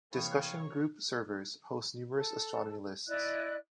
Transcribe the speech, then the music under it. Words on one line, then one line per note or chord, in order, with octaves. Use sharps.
Discussion group servers host numerous astronomy lists.
C3 E3 A#3 C#5 F5 G5 B5 D#6
A4
E4 D5 D#5 F#6